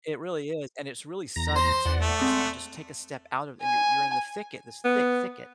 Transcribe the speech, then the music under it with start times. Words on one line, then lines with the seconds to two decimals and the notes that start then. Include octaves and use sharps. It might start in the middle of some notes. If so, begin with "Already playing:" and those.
it really is, and it's really sudden too, you just you just take a step out of and you're you're in the thicket, this thick thicket,
1.36 E2 A#5 A#6
1.55 C5 C6
1.85 E2 D5 F#5
2.00 A3
2.19 G#3 C4 C6
3.61 G#5
4.85 B3